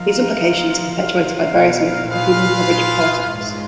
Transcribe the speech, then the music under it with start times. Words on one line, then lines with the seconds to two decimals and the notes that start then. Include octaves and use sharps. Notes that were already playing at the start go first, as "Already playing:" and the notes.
These implications are perpetuated by various media, including the coverage of politics.
Already playing: F3 D#4 A#4 F5
0.34 F3
0.93 F4 A#4 F5
1.52 B2
2.11 A#2 F4 G#4 B4 F5
3.28 G#2 G#3 C#4 F4